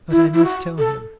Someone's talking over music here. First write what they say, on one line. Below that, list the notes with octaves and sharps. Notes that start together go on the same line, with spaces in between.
"But I must tell him."
E4
E4
F#4
A4